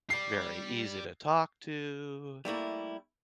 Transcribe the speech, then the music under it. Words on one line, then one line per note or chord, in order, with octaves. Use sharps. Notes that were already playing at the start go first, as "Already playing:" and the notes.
very easy to talk to,
G4 D5 C7
G3 A3 A#3 E4